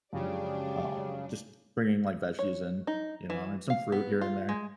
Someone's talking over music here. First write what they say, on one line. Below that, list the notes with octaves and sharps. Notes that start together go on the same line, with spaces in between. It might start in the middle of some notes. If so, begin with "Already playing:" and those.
um, just bringing, like, veggies in, you know? And some fruit here and there.
F#2 C#3 F3 G#3 D4 G4 D5
C#5
D#4
E3
F5
B3
F4
G#3